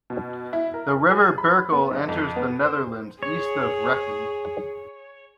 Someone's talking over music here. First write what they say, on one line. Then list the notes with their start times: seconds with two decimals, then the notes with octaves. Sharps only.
The river Berkel enters The Netherlands east of Rekken.
0.10 B2
0.53 E4
0.74 A#4
1.11 G#4
1.38 B5
1.72 B3
1.91 B1
2.09 F2
2.36 B3
2.63 C5
3.23 G#4 C#5